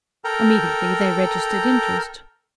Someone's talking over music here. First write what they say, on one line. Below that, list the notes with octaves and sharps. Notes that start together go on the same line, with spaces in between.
Immediately, they registered interest.
A4 A#4 G5 A#5